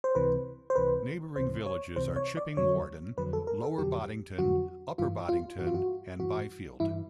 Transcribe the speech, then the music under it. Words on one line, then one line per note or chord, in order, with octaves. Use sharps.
Neighbouring villages are Chipping Warden, Lower Boddington Upper Boddington and Byfield.
C5
C#2 C3 E3 B4
C5
C#2 C3 E3 B4
C#2 C3 E3 C5
C#5
C#2 C3 E3 C5
C#5
D5
F2 D3 F#3 C#5
F2 D3 F#3 B4
A4
A#4
A4
F2 D3 F#3 G4
F2 D3 F#3 F#4
G2 E3 F4
F4
G2 E3 F#4
F4
F#4
G2 E3 F#4
G2 E3 E4